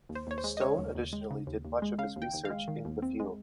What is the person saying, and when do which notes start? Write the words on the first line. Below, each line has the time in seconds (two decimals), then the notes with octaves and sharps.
Stone additionally did much of his research "in the field".
0.09 D#2
0.15 C5
0.27 D#2 C#5
0.38 C5
0.44 G#3
0.57 D#5
0.61 C#3 C#5
0.78 D#2
0.95 D#2
1.13 G#3
1.31 C#3
1.47 D#2
1.65 D#2
1.82 G#3
1.99 C#3 F5
2.16 D#2
2.22 G5
2.34 D#2
2.45 F5
2.50 G#3
2.68 D#3
2.85 D#2
3.02 C4
3.20 G#3